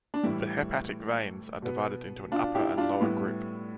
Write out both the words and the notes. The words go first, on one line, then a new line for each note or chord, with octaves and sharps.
The hepatic veins are divided into an upper and a lower group.
D4
A2 E3 G3 E4
B2 B3
D4 F4
E4 G4
D4 F4
A2 G3 B3 E4